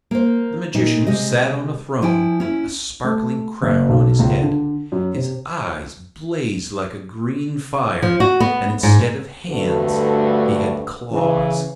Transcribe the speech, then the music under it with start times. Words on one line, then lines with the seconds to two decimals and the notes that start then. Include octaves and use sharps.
The Magician sat on a throne, a sparkling crown on his head; his eyes blazed like a green fire, and instead of hands he had claws.
0.11 A#3 C5
0.74 A#2 D#4
1.07 C3 G#3 G4 D#5
2.02 F3 E4 G5 G#5
2.40 C#4 E4
3.04 A3
3.62 F#1
3.89 B1
4.19 C#2
4.42 D3
4.92 F#2
5.16 C3
8.02 F3
8.20 F#4
8.40 B3
8.83 G#2
9.49 D2 G2 D3 A3 F#4 B4
11.11 C#3 E3